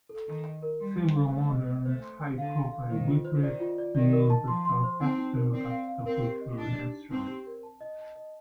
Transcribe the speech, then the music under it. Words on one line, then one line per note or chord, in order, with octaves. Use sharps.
Several modern high-profile guitarists use the Starcaster as a preferred instrument.
A4
D#3 D#4
D#5
A#4
G3 C6
C5
F5
A3 C5
D#5
C5
A3 C5
C6
C5
D3 F5
C6
F5
D#3 C5
F4
C5
D#3 D5
F4
D5
D#3 D5
A#4
A5
F3 C6
C6
C5
C4 D#4
D#4
A#4
C4 D5
F5
F5
C4 A#4
G4
D#5
D4 D5
G4
D#4
C4 D#4
G4
A#4
A5
D#5
A5
D#5